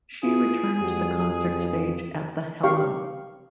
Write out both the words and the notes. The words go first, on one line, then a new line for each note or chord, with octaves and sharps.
She returned to the concert stage at the Hello!
E4 F4 G#4
F2 F#4 G4
G4 F5 G5 C#6